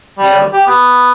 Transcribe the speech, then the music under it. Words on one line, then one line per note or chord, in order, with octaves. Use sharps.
You know?
G3
G4
B3